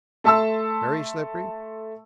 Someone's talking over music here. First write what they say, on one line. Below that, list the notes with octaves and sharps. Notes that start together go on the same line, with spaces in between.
"Very slippery?"
A3 A4 E5 A5 C6 E6